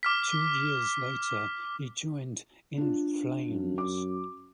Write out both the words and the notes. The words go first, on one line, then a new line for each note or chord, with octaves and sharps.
Two years later he joined In Flames.
D6 F6 B6
D4 F4
F#2
D6